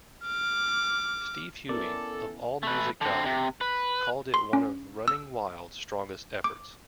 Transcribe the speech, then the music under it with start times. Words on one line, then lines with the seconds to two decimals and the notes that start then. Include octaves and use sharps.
Steve Huey of All Music Guide called it one of Running Wild's strongest efforts.
0.24 D6 F6
1.69 B3 C#4 E4 A4 A#4 D5
2.63 A3 B4
3.01 D3 C4
3.26 C3
3.61 B4
4.34 C6
4.53 C#4
5.08 E6
6.44 D6